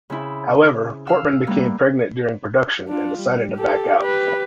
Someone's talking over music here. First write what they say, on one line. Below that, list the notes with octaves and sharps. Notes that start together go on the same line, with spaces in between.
However, Portman became pregnant during production, and decided to back out.
C#3 C4 E4
F5 E6
G3 A#3 B3
D4 F4
G3
G4 A4
G4 B4